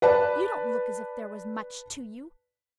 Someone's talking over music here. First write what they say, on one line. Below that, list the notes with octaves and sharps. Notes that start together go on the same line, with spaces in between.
You don't look as if there was much to you.
B4 D5 A5